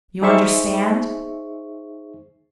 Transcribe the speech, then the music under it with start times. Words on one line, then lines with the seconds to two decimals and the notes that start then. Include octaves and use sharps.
You understand?
0.22 D#4 G#4 C5 E5 C#6